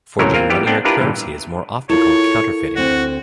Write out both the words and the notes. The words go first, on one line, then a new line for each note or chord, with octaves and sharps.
Forging money or currency is more often called counterfeiting.
C#2 A2 C3 F#3 C#4 A#4
A#3 C4 F4 A#4
E3 G3 B3 G4
B3 C4 D4 G5
D4 E4 F4 G4 A#4 B4
G2 A#2 E3
E4 F4 A4 A#4 C#5
D2 C4 F#4